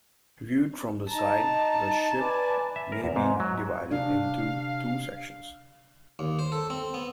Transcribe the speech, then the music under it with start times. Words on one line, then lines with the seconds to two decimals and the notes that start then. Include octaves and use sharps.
Viewed from the side, the ship may be divided into two sections.
1.11 D#4 A5 A#5
2.19 B4 D5 G#5
2.76 E5
2.92 A#4
3.04 E2
3.16 G#2
3.40 F#3
3.91 C3 D4 F5
6.19 D#2
6.39 C5
6.52 A4
6.70 C4
6.94 B3